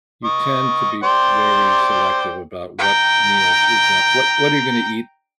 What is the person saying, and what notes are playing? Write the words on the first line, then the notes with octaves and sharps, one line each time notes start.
you tend to be very selective about what meals you're goin what what you're gonna eat
D#5 C#6
C5 D5 G5 C6
G5 A#5